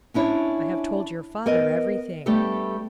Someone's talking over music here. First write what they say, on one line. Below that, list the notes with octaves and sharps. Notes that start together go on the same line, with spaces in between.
"I have told your father everything."
C#4 D4 E4 C#5
B3 A#4 D#5
G3 A3 B3 D4 G4 A4